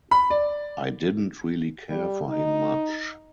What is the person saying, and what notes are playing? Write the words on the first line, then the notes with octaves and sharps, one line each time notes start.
I didn't really care for him much.
B5
D5
G3
D#4